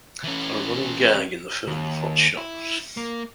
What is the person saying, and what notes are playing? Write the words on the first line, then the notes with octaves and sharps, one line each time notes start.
A running gag in the film Hot Shots!
E3 C#4
D#2
E4
A#3